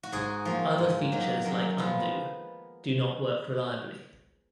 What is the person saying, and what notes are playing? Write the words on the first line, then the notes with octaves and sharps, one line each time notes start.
Other features like Undo do not work reliably.
F#4
G#2 G#4
F3 A#3
G#2
D#3 F#3 A#3
F#2 A#4
F3 G#3 B3